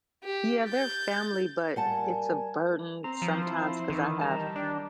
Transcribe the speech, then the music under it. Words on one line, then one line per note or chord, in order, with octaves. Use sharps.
Yeah, they're family, but it's a burden sometimes 'cause I have,
G4
G6 A6
G3 A#4 F#5 G#5 A5
C4 A#5
F3
E4
D#3 E3
G3 A5 A#5
D4